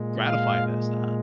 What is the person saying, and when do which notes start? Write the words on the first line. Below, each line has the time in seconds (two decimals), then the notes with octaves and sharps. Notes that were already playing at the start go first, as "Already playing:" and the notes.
gratify it as that?
Already playing: A#2 G#3
0.25 F5